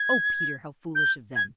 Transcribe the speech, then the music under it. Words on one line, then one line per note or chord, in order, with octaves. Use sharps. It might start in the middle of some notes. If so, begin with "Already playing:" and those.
"Oh, Peter, how foolish of them!"
Already playing: G#6
G6
G#6